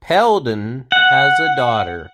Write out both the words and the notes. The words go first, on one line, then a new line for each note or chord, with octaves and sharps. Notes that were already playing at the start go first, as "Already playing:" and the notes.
Peldon has a daughter.
F#5